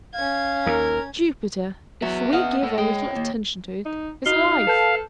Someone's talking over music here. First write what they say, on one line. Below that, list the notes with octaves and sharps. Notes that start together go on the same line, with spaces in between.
Jupiter, if we give a little attention to it, is life.
C#4 F5 G#6
D#2 A#4
F#3 B3 E5
D#5 F5 F#5
A2 A4
G#3 C#5 G5
D#2
D#4
D#4 F#4 D#5 F5 G7
A4 B4 A5 G6